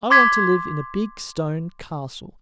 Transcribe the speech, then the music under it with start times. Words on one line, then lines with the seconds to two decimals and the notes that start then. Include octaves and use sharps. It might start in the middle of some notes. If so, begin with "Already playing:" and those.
I want to live in a big stone castle.
0.10 C6 D6 G#6 B6